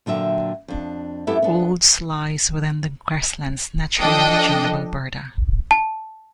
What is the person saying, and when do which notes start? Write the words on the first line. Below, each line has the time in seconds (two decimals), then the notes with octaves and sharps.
Olds lies within the Grasslands Natural Region of Alberta.
0.06 A#2 D3 F#3 E5 G5
0.68 F2 D4
1.27 F#2 B3 E4 G4 A4 E5
1.42 B3 D4
3.99 F3 D4 A4 D#5 G5 D#6
5.71 A5